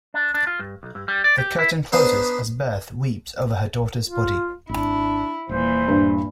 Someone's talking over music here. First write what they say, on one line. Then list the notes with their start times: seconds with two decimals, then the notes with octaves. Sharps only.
The curtain closes as Berthe weeps over her daughter's body.
0.14 D4
0.34 D4
0.47 F4
0.59 G2
0.83 B1
0.95 G2
1.08 G3
1.24 D5
1.38 G4
1.59 E4
1.92 B3 D4 D#4 B4 C5
4.06 F4
4.69 G#1 D4 E4
5.49 D#1 A#2 E3 C5
5.88 G2